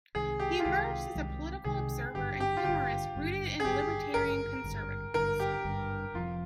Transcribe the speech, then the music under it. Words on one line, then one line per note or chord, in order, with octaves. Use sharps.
He emerged as a political observer and humorist rooted in libertarian conservatism.
C2 C3 D#3 G#3 G#4
G4
F4
C2 C3 D#3 G#3 G4
C2 C3 D#3 G#3
C2 C3 D#3 G#3 G#4
G#1 G2 D3 G4
G4
F4
G#1 G2 D3 G4
G#1 G2 D3
G#4
G#1 G2 D3 G4
G#1 G2 D3 A#4
G#1 G2 D3
G#1 G2 D3 A#4
G4
G#1 G2 D3
F1 F2 C3 F3 F4